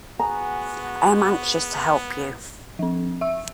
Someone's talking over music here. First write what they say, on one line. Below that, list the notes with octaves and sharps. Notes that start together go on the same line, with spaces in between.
I am anxious to help you.
B3 F#4 G#4 A#5
F3 C4
E5 E6